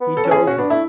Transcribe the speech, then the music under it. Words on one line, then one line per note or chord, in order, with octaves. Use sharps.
He told me.
B3
A4
C#4
G#4
C#4 F#4
B3 D4
A3 E4